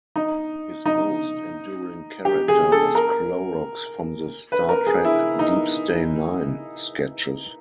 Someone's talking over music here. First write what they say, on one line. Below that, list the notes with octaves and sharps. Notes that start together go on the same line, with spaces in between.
His most enduring character was Clorox from the "Star Trek: Deep Stain Nine" sketches.
D#4
D#4
G4
G#4
A4
A#4
B4
A#4
G#4
E4
D#4